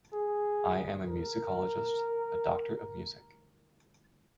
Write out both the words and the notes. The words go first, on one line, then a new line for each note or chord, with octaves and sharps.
I am a musicologist, a doctor of music.
G#4
A#4